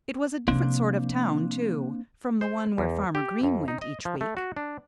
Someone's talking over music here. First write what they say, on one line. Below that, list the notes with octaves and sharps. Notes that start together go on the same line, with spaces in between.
It was a different sort of town, too, from the one where Farmer Green went each week.
C3 F3 A#3 C4 D4
C5
E2
G4
F2
D#4
D#5
F3
A3
F#4
D4